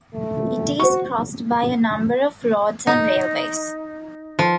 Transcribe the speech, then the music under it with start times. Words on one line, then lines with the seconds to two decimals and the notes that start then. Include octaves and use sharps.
It is crossed by a number of roads and railways.
0.14 A3
0.80 F#4 C5 C#6
2.87 D#4
4.39 F3